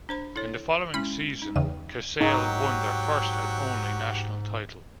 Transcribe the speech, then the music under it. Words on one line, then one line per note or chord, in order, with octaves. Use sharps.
In the following season Casale won their first and only national title.
D4 C5 B5
E4 A4 C#5
G#3 C#4 E4 B5
D#4
E2 C#3 G5
G#2 F#3 D#4 F#4 G4 G5